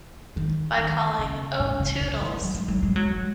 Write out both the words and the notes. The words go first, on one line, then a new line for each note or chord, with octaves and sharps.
By calling, Oh Toodles!
D#3
D#3
C#3
A#2
C#3
C#3
E3
F#3
G#3
F#3
G#3
F#3
G#3